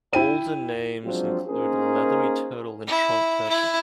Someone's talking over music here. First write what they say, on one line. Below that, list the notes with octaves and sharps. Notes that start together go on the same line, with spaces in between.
Older names include "leathery turtle" and "trunk turtle".
E4 G5 D#7
F3 F#3 G#3 C4 D4 F4
A#3 C#4 D#4 G#4 A#4 C5
E4
E4